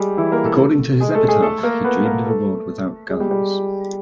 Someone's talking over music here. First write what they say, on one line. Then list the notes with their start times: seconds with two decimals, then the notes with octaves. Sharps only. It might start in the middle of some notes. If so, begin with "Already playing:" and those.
According to his epitaph, he dreamed of a world without guns.
Already playing: G3 G#3 G4 G#4
0.17 E3 E4
0.32 A#3 A#4
0.45 A3 A4
1.00 G#3 G#4
1.15 A3 A4
1.28 G#3 G#4
1.42 A3 A4
1.63 A#3 A#4
1.84 B3 B4
2.05 A#3 A#4
2.26 A3 A4
3.09 G#3 G#4
3.20 G3 G4
3.31 G3 G4